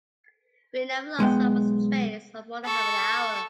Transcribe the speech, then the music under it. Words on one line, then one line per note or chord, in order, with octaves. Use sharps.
We never lost someone’s trace or more than half an hour.
B1 G#3 B3 G5
A4 C#6